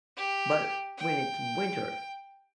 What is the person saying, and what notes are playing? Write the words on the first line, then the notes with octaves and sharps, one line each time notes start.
but, when it's winter,
G4
G5